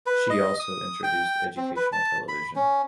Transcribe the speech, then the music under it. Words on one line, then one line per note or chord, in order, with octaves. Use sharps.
She also introduced educational television.
B4
D#5
D#6
G5
C4
B4
A5
B5
C#4